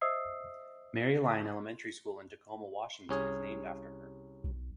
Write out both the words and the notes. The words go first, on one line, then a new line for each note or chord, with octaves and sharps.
Mary Lyon Elementary School in Tacoma, Washington is named after her.
C5 D#5 E5 D#6 E6 C7
C2 C#4 G#4
B1